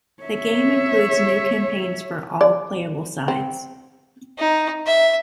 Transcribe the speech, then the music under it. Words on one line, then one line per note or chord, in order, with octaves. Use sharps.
The game includes new campaigns for all playable sides.
C#5 E5
D5
C4
D#4
E5